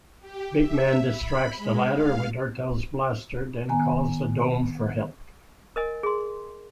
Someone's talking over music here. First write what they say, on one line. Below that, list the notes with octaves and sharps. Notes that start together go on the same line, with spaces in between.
Bigman distracts the latter with Urteil's blaster, then calls the Dome for help.
G4
E5
B5
G#3
F5
D#3 B3 G#5 A#5
A#4 D#5 G#5
G#4 C6